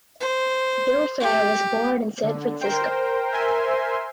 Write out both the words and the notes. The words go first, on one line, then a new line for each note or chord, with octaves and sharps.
Bill Fair was born in San Francisco.
C5
G4
D3
A#4 C5 G5
A#4 C5 E5 G#5 C6